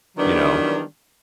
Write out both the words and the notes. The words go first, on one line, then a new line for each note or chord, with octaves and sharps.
you know,
D#3 E3 F#3 G3 B3 D4